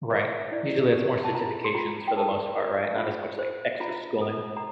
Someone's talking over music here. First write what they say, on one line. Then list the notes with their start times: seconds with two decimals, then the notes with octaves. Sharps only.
Right, usually, it's more certifications for the most part, right, not as much, like, extra schooling?
0.11 A#4 E5
0.52 E4 D5
0.93 G4
1.24 A5
1.34 F4 A#5
1.65 C6
1.75 F4 A#5
2.08 G5
2.17 A#4 A5
2.57 A#4
2.98 F4
3.39 C5
3.80 F4 A#5
4.21 A4
4.57 A#5